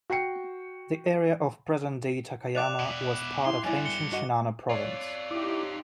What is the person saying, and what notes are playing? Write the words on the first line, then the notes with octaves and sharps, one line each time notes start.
The area of present-day Takayama was part of ancient Shinano Province.
F#4 G5 C7 C#7
D5 F5 G5 D6 F#6 F7
B2 E4
E4 G4 F5 C6
G2 D3 E4 D5 G#5
C#7 G7
F#4 D#5 F#5
F4 A4 C#5 D5
D#4 E4 G4 D6